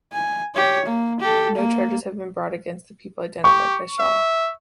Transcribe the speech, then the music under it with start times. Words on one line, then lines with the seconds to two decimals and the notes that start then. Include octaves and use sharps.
No charges have been brought against the people identified by Shaw.
0.12 G#5
0.55 G4 C#5
0.86 A#3
1.21 G4 A4
1.56 A#3
3.44 G4 C#6
3.99 E5